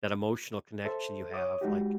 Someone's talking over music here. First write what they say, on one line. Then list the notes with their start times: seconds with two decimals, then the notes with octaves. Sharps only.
that emotional connection you have, like
0.85 A4 C5 E5
1.34 C#5 E5 D6 D#6
1.61 G#3 D#4 F#4 G4